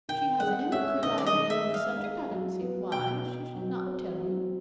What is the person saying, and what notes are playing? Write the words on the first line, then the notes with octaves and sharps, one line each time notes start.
If she has any clear ideas on the subject I don't see why she should not tell you.
D#3 G5
G#3 F#5
C#4 E5
D#3 D#5
D5
D#5
D#3
E5
G#3
F5
D#4
F#3
B3
B2 G5
D#4
F#3
C4
F#3